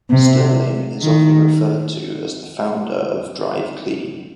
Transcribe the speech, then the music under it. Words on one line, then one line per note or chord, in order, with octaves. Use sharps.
Sterling is often referred to as the founder of Drive Clean.
C3
D#3